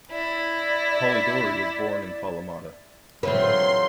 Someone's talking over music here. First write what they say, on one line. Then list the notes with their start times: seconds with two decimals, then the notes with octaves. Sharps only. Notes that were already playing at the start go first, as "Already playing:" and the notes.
Polydouri was born in Kalamata.
0.11 E4 D5
3.23 D3 E3 F#3 C4 F4 B4 C6